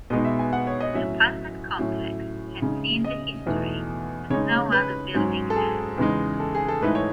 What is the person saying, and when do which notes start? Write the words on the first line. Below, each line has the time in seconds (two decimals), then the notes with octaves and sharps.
The apartment complex had seen the history as no other building had.
0.10 B2 G#3 B3 D#4 D#5
0.25 E5
0.39 G#5
0.53 F#5
0.67 C#5
0.81 D#5
0.94 A2 F#3 C#4 E5
1.79 A2 F#3 C#4
2.62 C#3 G#3 D#4
3.04 D#5
3.46 E2 B2 A3 D#4
4.30 C#3 G#3 D#4 C#5
4.51 C#5
4.72 B4
5.14 G#2 F#3 C#4
5.50 A4
5.56 G#4
5.98 E2 C#3 G#3 D#4
6.40 A4
6.55 G#4
6.68 A4
6.82 G#2 E3 A3 D#4 B4
6.95 C#5